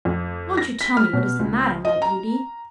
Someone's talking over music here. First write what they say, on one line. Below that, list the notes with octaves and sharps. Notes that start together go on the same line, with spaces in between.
Won't you tell me what is the matter, my beauty?
F2
A#6
B6
F6
B2
C#2
D#5
A#5